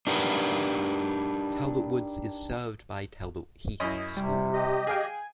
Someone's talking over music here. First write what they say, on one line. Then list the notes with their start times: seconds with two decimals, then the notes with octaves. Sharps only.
Talbot Woods is served by Talbot Heath School.
0.07 D4 D#4 G4 A#4 B4 F#5
3.80 F#2 E4 D#5
4.17 C3 G3
4.53 G4 D#5
4.87 G#4 F5 G5 G#5